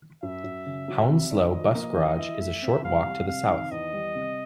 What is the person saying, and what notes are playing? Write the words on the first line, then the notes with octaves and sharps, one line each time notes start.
Hounslow bus garage is a short walk to the south.
F#2 E5
F#2
C#3
F#3
C3 E5
D4
F3 D#5
A#3
E3
E4
A3 E5
C4
C2 F5
G3
C3 F5
D#3
E2 D#5
G3
C3